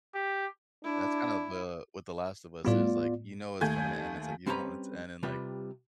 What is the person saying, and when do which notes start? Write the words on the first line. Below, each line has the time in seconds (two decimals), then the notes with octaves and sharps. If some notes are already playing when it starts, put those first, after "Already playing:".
That's kinda the what The Last of Us is, like, you know it's coming to end, it's, like, you don't want it to end, and like,
0.14 G4
0.84 D4 E4
2.65 A2 G3 B3 F4 D5
3.61 D#2 A3 G#5 G6 G#6
4.46 G3 C4 C#4 E4 B4 A#5
5.23 C3 G3 F4 B4